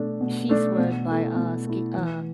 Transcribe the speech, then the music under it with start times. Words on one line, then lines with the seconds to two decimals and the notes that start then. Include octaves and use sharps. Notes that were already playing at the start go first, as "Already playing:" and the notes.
she swears by, uh, ski uh,
Already playing: B2 A3 D4
0.21 B2
0.49 A3 D4
0.78 B2
1.07 A3 E4
1.36 B2
1.66 A3 E4
1.94 E3